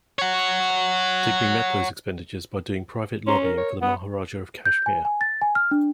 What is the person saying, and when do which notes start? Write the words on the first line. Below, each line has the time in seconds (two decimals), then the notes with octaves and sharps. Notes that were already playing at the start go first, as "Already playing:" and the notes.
Digby met those expenditures by doing private lobbying for the Maharaja of Kashmir.
0.19 C#5 F#5
3.27 C#4 A#5 C6
3.42 A#4
3.57 C#5
3.82 B3 F#5 D#6
4.66 G6
4.86 G#5
5.05 G#5
5.21 A6
5.42 G#5
5.55 F6
5.71 D4